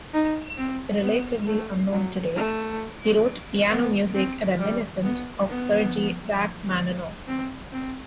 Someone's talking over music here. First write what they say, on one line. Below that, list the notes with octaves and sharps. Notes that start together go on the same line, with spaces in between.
Relatively unknown today, he wrote piano music reminiscent of Sergei Rachmaninoff.
D#4
C4
B3
A3
F#3
A3
B3
C4
G3
B3
B3
C4
C4